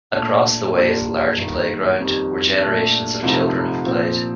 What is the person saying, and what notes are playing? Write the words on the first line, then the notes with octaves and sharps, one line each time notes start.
Across the way is a large playground, where generations of children have played.
A#2 A3 D4 A4
A#2 G3 A#3 D4 F4
G1 G2 D#3 A#3
F2 D#3 G3
A#2 A3 D4
C2 C3 F3 A3 D#4
A#2 F3 C4